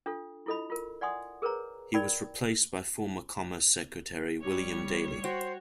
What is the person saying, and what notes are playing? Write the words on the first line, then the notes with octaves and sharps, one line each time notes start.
He was replaced by former Commerce Secretary William Daley.
D4 F4 A4
E4 F4 A4 D#5 B5
F4 A#4
D5 F#5 G#5 C6 D#6
G#4 A#4 B4 C#5 A#5
A#4 D5 G5 B5
G3 C#5
F#4 C5 G5